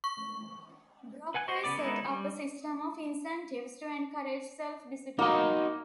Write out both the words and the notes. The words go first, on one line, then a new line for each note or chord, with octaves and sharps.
Brockway set up a system of incentives to encourage self-discipline.
C#6
B4 F#5 G#5 F#6
F#4 C5 D#5 C#6
C#3 B3 D5 D6
D#3 G#3 B3 D#4 E4
G3
A#3 D#4 F#4 D#5